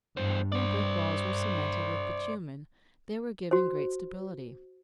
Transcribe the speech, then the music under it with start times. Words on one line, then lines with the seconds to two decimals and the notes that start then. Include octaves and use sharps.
When brick walls were cemented with bitumen they were given great stability.
0.17 E2 G2 C5
0.52 C5 D5
3.51 F#4 C5